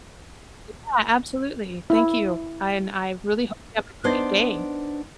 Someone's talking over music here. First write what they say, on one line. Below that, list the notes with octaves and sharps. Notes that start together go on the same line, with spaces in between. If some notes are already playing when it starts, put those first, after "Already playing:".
Yeah, absolutely. Thank you, and I really hope you have a great day.
E4
B3 D4 D#4 C5